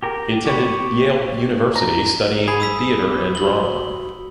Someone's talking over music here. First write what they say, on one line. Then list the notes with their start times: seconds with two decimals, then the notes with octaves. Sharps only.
He attended Yale University, studying theatre and drama.
0.03 G4 A#4
0.46 G4 C#5 B5
1.76 A#5
2.48 G#4 B5
2.60 D#6 E6 B6
3.35 F#4 F#7 G7